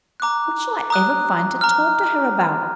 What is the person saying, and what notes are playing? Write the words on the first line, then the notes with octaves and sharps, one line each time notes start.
What shall I ever find to talk to her about?
A#5 D6 F#6
A#5 D#6 F#6
A#5 F6